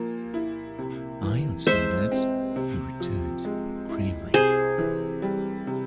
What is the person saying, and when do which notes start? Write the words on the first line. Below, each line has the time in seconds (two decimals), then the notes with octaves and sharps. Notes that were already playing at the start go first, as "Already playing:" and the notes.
"I don't say that," he returned, gravely.
Already playing: A#2 F3 A#3
0.34 E4
0.78 C3
1.23 E3
1.67 G#3 C5 E5
2.11 C4
2.56 C3
3.00 F3
3.45 G#3
3.89 E4
4.34 C3 G#4 C5
4.78 E3
5.22 G3
5.67 C3